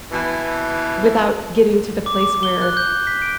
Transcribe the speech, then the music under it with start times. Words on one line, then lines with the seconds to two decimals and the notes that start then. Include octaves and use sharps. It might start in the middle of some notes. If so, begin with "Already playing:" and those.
without getting to the place where
0.11 B2 E3
2.06 D6
2.21 D6
2.43 G7
2.62 F#6
2.77 G6
3.07 B6
3.22 D7